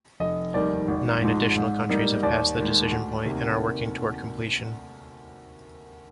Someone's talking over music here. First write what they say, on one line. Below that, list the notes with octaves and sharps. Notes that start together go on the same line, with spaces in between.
Nine additional countries have passed the decision point and are working toward completion.
F1 D#5
D#2 D#3 G3 D5
G#1
G#2 F3 G#3 D#4
G#2
G3 A#3 D#4
D#2 D5
D#3 G#3
D2
C3 D#3 A#3